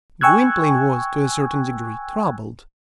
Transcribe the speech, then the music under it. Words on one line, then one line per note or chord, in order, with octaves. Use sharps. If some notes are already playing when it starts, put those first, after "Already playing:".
Gwynplaine was, to a certain degree, troubled.
G5 G#5 C#6 E6 F#6 G#6